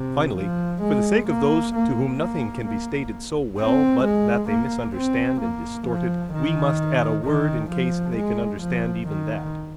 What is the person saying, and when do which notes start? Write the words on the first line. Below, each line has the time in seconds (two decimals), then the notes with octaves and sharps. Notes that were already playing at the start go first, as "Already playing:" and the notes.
Finally, for the sake of those to whom nothing can be stated so well but that they misunderstand and distort it, we must add a word, in case they can understand even that.
Already playing: C3
0.37 F3
0.82 G#3
1.29 A#3
1.75 A#3
2.20 A#3
2.66 A#3
3.58 C4
4.04 G#3
4.50 A#3
4.96 C4
5.41 A#3
5.87 F3
6.33 D#3
7.25 D#3
7.71 F3
8.16 G#3
8.62 F3
9.08 D#3